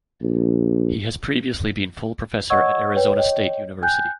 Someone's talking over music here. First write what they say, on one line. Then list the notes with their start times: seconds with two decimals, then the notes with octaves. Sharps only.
He has previously been full professor at Arizona State University.
0.21 A#1
2.50 C#5 D#5 F#5 C#6 E6 G#6
2.95 B4 C#5 G5
3.16 C#5 D#5 G5
3.83 G5 G#5 F#6 G6